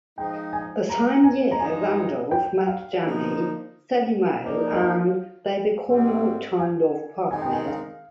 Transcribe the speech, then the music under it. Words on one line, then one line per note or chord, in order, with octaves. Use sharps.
The same year, Vandolph met Jenny Salimao and they become longtime love partners.
F3 G#3 D#4 G5
G#5
A#5
G#5
A#5
G2 F3 G#3 D#4 G#5
G5
F5
D3 F3 A#3 D#4
F3 A#3 D#4 D5
D#5
F5
G#2 G3 C4
G#5
D#3 G#3 C4 D#4 G#5
G5
G#5
F5